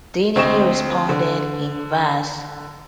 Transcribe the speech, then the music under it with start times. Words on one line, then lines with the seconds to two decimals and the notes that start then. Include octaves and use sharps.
Denny responded in verse.
0.36 D2 C4 D#5 C#6 E7
1.09 D3